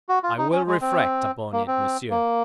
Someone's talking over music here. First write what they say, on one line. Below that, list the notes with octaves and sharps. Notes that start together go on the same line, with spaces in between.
"I will reflect upon it, monsieur."
F#4
F4
D#4
C#4
G#3
C4
A#3
C4
A#3